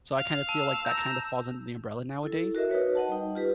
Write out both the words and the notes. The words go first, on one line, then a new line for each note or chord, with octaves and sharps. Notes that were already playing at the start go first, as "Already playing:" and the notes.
so I kinda feel like that kinda falls under the umbrella nowadays.
F5
A5 E6
A#5 G6
E4 A4
F#4 A#4 D#5 E5
D#4 F#4 B4 C#5
D#5 F#5 A5
G3 D#4
F4 G4 B4